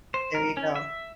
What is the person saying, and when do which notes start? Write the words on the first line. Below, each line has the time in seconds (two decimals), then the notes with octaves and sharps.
There you go.
0.14 C5
0.35 A#4
0.57 C#4
0.76 E5